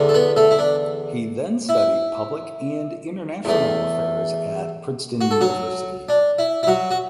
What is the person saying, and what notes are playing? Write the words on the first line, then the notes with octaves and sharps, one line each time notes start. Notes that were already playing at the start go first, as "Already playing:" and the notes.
He then studied public and international affairs at Princeton University.
Already playing: E2 D3
A4
B3 B4
A3 A4
E4
D4
E4
E2 E3 A3
F#4
A4
F#3 F#4
D4
E4
E4
F#3 F#4
F#4